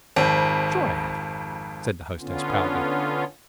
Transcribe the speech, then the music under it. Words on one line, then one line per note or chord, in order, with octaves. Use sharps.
"Sure I have," said the hostess proudly.
G#1 F2
D3 B3 C#4 F4